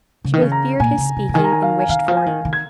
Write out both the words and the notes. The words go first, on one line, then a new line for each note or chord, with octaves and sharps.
She both feared his speaking and wished for it.
C#3
D#3
C#3
A#5
A#2 G#5
C#3
C#3
C#3
D#3 G#5
A#5
G#5
F5
G#5
D#3 F5
F3
G#5
D#3
D#3
G#6